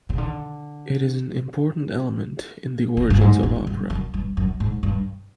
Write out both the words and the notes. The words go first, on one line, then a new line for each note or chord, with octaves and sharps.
It is an important element in the origins of opera.
C#3
D3
C#3
G2
G#2
G#2
G2
F#2
G2
F#2
G#2
G2